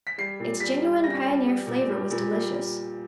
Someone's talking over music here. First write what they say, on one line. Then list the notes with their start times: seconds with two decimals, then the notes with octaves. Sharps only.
Its genuine pioneer-flavor was delicious.
0.07 B6
0.18 G3 C7
0.40 A#2
0.60 G3 B6
0.82 G3
1.04 G3 A#6
1.25 G3
1.46 G3
1.67 A#2
1.89 G3
2.11 A#2
2.32 G3